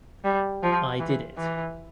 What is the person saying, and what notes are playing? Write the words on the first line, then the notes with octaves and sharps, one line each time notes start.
I did it.
G3
F3
E3
E3